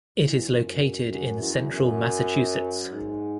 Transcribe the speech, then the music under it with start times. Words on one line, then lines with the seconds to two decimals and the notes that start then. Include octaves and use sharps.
It is located in Central Massachusetts.
0.20 E2
0.50 F#2
1.11 F#2
1.41 E2
1.71 F#2
2.92 G#2